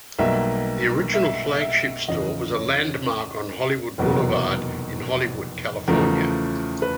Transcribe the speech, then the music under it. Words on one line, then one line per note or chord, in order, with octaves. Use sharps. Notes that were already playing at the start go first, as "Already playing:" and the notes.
The original flagship store was a landmark on Hollywood Boulevard in Hollywood, California.
B1 B2 G3 A#3 E5
E5
E5
E2 C#3 F3 D#5
C#5
F1 E2 B2 F#3 A#3
E2 C#3 F3 A3 A#4
B4